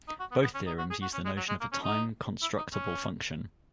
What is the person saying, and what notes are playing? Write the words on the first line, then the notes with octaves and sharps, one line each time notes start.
Both theorems use the notion of a time-constructible function.
D#4
F#4
B3
B3
C#4
D#4
F#4
G#4
F#4
C#4
G#3
F#3
G#3
A#3
C#4
D#4
E4
D#4
C#4